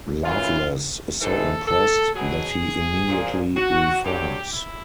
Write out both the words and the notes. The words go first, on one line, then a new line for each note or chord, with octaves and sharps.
Loveless is so impressed that he immediately reforms.
F#2 C#3 E3 F4
G#2 E3 A4
A4
B2 F#3 G#4
A#2 F3
F#4
G2 D3 F#3 G4
E4